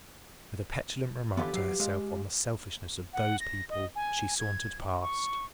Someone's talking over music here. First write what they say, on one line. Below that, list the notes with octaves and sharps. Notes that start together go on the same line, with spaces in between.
With a petulant remark to herself on the selfishness of "those people," she sauntered past.
D3 E3 B3 F4 G4 B4
F#3 F5
G#3 F5
F#5
A#6
D#5
G#5
G#6
C#6